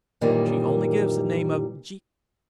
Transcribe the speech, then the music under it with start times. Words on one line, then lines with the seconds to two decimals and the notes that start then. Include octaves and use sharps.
She only gives the name of 'G.
0.21 F#2 A#2 D#3 E3 G3